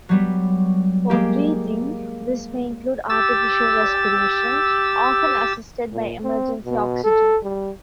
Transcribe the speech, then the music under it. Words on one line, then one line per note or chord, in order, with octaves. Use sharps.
For breathing, this may include artificial respiration, often assisted by emergency oxygen.
F#3 G3 B3
G#3 A#3 G4
G4 E6 A6
A#2
C4
B2
A4
G3